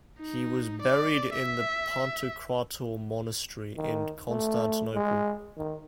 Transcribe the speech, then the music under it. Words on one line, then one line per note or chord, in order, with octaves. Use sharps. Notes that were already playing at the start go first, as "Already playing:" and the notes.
He was buried in the Pantokrator Monastery in Constantinople.
D#4
D5
E5
D#3
A3
G#3
D#3